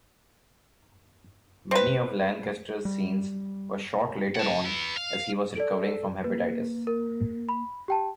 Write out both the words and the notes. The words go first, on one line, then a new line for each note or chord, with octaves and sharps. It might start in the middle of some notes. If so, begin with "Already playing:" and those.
Many of Lancaster's scenes were shot later on as he was recovering from hepatitis.
C4 B4
G3
F#5 A5
B3 E4
F5
A4 D5 D7
A#3 B4
A#4
B5
G4 G5 A5